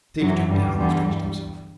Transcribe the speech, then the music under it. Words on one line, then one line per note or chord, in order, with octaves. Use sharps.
Steve jumped down and stretched himself.
F#2 E3 F#3
G2 D3 G3
E2 D3 G3
G2